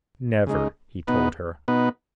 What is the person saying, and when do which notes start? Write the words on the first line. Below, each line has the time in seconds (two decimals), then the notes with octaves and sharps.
"Never," he told her.
0.47 C#3 G#3 D#4
1.07 B2 B3 D#4 B4
1.68 B2 B3 D#4 B4